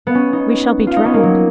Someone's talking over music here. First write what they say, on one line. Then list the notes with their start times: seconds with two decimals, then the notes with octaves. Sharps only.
We shall be drowned!
0.07 B3
0.15 C#4
0.33 D#4
0.87 F4
0.96 D#4
1.05 C#4
1.14 A#3
1.23 F#3